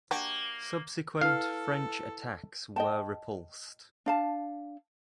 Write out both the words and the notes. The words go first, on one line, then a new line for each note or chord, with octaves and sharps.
Subsequent French attacks were repulsed.
A#3 D4 F#4 G4
E4 A4 B4 F5 F6
D#5 G5 A5
D4 F5 A5